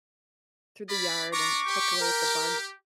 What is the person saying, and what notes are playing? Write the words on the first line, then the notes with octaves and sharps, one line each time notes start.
through the yard and peck away at the bugs
C#4 D5 B5
D4 A#5 C#6 D6
G4
A#4